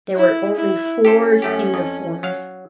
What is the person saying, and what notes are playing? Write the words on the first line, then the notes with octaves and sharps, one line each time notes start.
There were only four uniforms.
E4
E4
C#4 G4 A4 C5
F#2 A3 G4
F2
F#3 F5